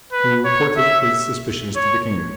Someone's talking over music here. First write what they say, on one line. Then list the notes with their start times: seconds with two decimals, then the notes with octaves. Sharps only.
He reported his suspicions to the king.
0.13 B4
0.45 C#5
0.77 E5
1.76 C#5